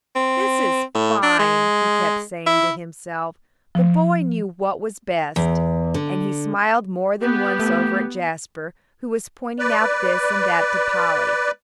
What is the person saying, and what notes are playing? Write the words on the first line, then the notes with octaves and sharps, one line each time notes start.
"This is fine," he kept saying to himself, "the boy knew what was best," and he smiled more than once over at Jasper, who was pointing out this and that to Polly.
C4
A2
D4
G#3
E4
F3
E2
D3
B3 G4
A3
B4 D5